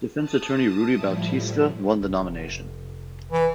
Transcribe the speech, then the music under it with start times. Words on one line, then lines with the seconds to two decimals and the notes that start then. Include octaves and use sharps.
Defense attorney Rudy Bautista won the nomination.
0.20 A5 D#6
0.93 A2 F3 G3 E4
2.02 F1
3.32 E3